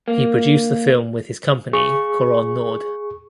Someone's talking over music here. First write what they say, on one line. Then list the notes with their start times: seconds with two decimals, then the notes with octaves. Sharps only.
He produced the film with his company Couronne Nord.
0.08 A#3
1.73 G#4 C#6